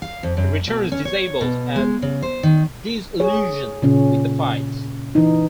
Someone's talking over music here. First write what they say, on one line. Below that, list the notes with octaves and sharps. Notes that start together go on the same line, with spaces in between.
He returns disabled and disillusioned with the fight.
F5
F2
F#2
B2
C#4
C#5
B2
G#3
C#3
C5
D#3
G#4 C#5
A#2 C#3 C#4
E3 D#4